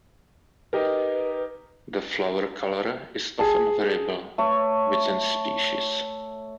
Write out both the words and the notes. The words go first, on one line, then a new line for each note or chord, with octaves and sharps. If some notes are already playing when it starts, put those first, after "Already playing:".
The flower colour is often variable within species.
D#4 G4 A#4 B4
G#4 A5
A3 C#5